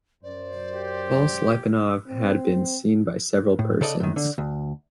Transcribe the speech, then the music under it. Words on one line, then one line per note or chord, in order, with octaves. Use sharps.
False-Laiponov had been seen by several persons.
F#2 C5 D5
G4
C4
A2
C#3 A4 D5 D#5
F#2 D#3
D3
D2